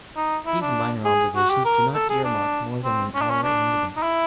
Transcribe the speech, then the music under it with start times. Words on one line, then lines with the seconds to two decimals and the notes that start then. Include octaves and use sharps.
These minor obligations do not earmark more than an hour in the day.
0.16 D#4
0.46 E4
0.61 D4
1.05 G#4
1.36 F#4
1.50 G4
1.65 A#4
1.94 A4
2.09 G#4
2.24 D4
2.84 C4
3.14 C#4
3.22 D4
3.30 C#4
3.43 D4
3.96 D#4
4.03 E4